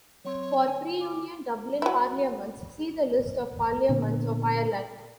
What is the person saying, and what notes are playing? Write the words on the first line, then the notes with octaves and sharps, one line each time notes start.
For pre-Union Dublin parliaments, see the list of Parliaments of Ireland.
F#3 C4 C#5
D2 G#5
D6
F#3 E4
A#2 D3 B3